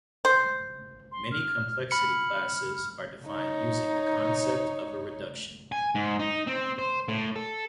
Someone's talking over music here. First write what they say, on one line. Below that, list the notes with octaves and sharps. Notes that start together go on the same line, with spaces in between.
Many complexity classes are defined using the concept of a reduction.
C5
C6
F6
B5 F6 C#7
D#4 C#5
G#5
G#2
D#4
C4
C5
A2
A4